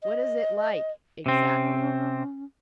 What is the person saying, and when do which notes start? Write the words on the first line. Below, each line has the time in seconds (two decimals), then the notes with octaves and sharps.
"What is it like--exactly?"
0.03 D#5
1.26 C3 C4 C#4